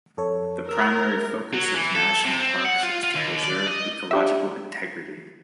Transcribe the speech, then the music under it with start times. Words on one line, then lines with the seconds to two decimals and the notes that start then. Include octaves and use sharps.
The primary focus of national parks is to preserve ecological integrity.
0.17 F2 A4 C#5
0.69 A#4 E6
1.54 F#3
1.75 E3
1.95 A4
2.25 C3
2.39 C4
2.65 F#5
2.83 F4
3.04 F4
3.16 D#2
3.44 D5
3.68 D#5
4.11 D4 G4 E5